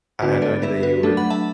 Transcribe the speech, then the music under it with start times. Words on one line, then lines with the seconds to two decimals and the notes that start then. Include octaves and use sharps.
I I had no idea that you would
0.22 D3 B3 D4 F#4 B4
0.42 A4 D5
0.63 B4 E5
0.83 F#4 B4
1.03 F#3 A3 D4 A4
1.17 F#5 B5
1.30 E5 A5